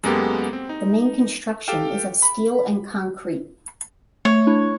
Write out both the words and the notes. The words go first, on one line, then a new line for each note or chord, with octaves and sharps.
The main construction is of steel and concrete.
F#2 G#3 A#3 B3 G4 A4
C4
D#4
G4 A4 F5 G5 F6
B5
A3 C#5
D4 E4